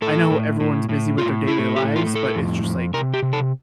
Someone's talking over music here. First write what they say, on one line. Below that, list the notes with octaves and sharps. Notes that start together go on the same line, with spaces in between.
I know everyone's busy with their daily lives, but it's just like
A2 A4
A2
A2
A2
A2 F4
A3 E4
A2 G4
F4
A2
A4
F2
F2
C3 A#4
G4
C3
A4